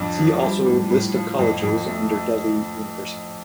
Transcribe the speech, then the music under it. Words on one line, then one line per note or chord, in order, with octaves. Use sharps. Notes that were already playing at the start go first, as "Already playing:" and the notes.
"See also List of colleges under Delhi University".
Already playing: F2 F3 D4
F3
G3
A2
A2
F3
F2
F2
A3
A3